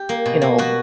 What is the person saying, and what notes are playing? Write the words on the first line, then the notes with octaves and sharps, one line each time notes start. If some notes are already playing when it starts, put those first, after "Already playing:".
you know,
Already playing: G4
A#3
B2
A#3
B2 F#4